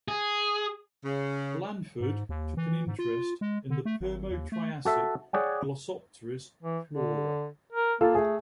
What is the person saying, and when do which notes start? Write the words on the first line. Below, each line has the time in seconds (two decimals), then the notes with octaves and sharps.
Blanford took an interest in the Permo-Triassic Glossopteris flora.
0.08 G#4
1.04 C#3
2.01 G#2
2.29 D#2
2.57 E3
2.87 G#2
2.99 F4
3.41 G#3
3.70 D3
3.85 A3
4.01 G#1
4.31 D#2
4.52 A3
4.85 F#4 A4 E5
5.33 G#4 C#5 D5 F#5 G5
6.62 E3
6.89 D3
7.72 A#4
8.01 A#3 F4 A4
8.15 A3 G#4